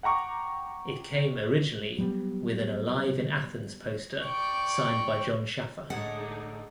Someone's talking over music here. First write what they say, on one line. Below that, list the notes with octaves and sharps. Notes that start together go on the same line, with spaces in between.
It came originally with an Alive in Athens poster signed by Jon Schaffer.
F#5 G5 A#5 C#6 D6
F#3 G3 B3
D5 G5 C#6
A2 D3 G#3 D4 D#4 G#4 F#5